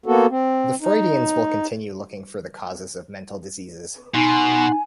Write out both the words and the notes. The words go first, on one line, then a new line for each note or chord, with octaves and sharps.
The Freudians will continue looking for the causes of mental diseases.
A#3 B3 F#4 A4
C4
D#4
B2 D#4 F#5 G#5 C6